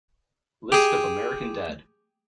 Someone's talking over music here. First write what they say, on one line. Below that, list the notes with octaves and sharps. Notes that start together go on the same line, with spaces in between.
List of American Dad!
G4 G#4